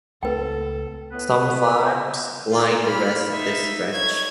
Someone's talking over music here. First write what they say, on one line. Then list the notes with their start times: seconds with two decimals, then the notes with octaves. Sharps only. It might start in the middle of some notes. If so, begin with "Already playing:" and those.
Some farms line the rest of this stretch.
0.23 C#2 A3 C4 A4 B4 G5
1.12 A2 B3 B4
2.51 F4 D5
2.84 B5 F6
3.31 D#4 E5
3.93 C#5 G#6